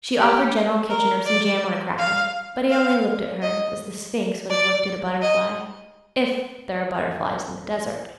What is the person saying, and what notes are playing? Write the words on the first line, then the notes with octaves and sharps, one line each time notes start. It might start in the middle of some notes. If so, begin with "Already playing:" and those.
She offered General Kitchener some jam on a cracker; but he only looked at her as the sphinx would have looked at a butterfly--if there are butterflies in the desert.
G4
A#4
D5
F5
F5
D#5
D5
D#5